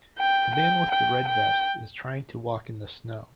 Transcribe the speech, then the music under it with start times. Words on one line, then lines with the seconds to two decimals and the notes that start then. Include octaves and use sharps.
The man with the red vest is trying to walk in the snow.
0.19 G5
0.55 G5
0.91 G5
1.28 G5